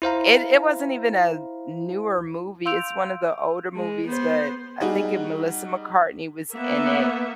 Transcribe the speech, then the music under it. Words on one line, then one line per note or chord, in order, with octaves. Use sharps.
It it wasn't even a newer movie, it's one of the older movies, but I think it Melissa McCartney was in it,
E4 C5 F5 A#5
F5 C6 E6 G6 D7 F7
G#3
B3 C5
G3 D#4 F#4 G#4
A#3 B3 E5